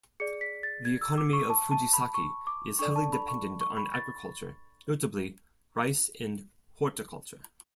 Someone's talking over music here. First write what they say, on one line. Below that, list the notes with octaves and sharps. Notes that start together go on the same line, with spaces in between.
The economy of Fujisaki is heavily dependent on agriculture, notably rice and horticulture.
G#4 D5 C#7
B6
A6
G#6
E6
D6
C#6
A5
A5
B5
C#6
D6
D4 A4 D5 C#6
A5
B5
C#6
C#6
B5
A6